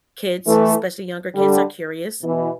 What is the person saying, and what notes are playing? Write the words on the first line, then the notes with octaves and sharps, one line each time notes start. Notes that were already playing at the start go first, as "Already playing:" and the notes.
kids, especially younger kids, are curious.
E3 A3
D3 G3
B2 E3